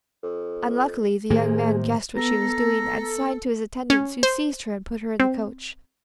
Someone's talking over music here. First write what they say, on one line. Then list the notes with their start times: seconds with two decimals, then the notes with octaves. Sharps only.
Unluckily the young man guessed what she was doing, and signed to his attendants, who seized her and put her in the coach.
0.23 F2
1.30 A2 C3 D#3 A#3 G#4
2.17 B3 A4 A#5
3.90 C#4
4.23 C5
5.20 C4